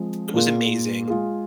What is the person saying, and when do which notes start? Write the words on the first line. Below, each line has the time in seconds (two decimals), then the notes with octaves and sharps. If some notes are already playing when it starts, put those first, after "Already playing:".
it was amazing.
Already playing: F3 G#3 C4
0.34 A#2 A#3 F4 G#4
1.07 G#3 F4 G#4